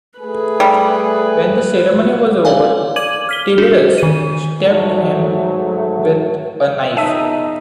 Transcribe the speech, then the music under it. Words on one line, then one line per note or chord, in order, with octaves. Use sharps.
When the ceremony was over Tiberius stabbed him with a knife.
A3 G#4 B4
G3
C#5 D5 F5 G#5
D6 G#6 D#7 F#7
F6 B6 G7
D4 F#4 G#4
D#3 D#7
G#2 F#3 A3
E2 A#2 D#4 E5 A5 E6 B6 D#7